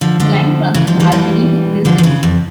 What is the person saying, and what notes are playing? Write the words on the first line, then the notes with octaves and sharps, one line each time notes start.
The line runs from Albany to Mill City.
D3 F3
D3 F3
C#3 E3
D3 F3
E3 G3
E3 G3
D3 F3
F3
C#3 E3
F2